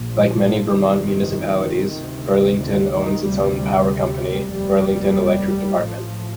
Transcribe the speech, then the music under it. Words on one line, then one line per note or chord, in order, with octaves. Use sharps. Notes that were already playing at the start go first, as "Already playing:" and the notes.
Like many Vermont municipalities, Burlington owns its own power company, Burlington Electric Department.
Already playing: A#1 A#2
F3
G1 F2 C3 D#3
D2 C3
D3
D#3
D2 C3 G3
F1 D#2 G3
A1 A2 F3